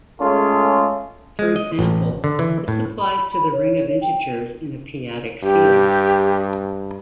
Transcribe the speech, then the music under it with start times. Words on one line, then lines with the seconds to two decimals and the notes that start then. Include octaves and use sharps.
For example, this applies to the ring of integers in a p-adic field.
0.20 G#3 A3 C#4 F4 G#4 A4
1.39 G#3
1.56 D#5
1.79 A1
2.24 D3
2.39 E3
2.68 A2
2.99 B5
3.32 B5
3.52 C#5
4.02 G5
5.43 G2 G4